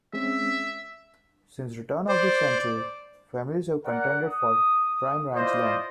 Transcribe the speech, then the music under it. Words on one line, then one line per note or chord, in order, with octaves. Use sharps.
Since the turn of the century, families have contended for prime ranch land.
G#3 C4 C#4 E5
C5 D5
A#4 D5 F#5
D#6
E4 F4 C5 D5 D#5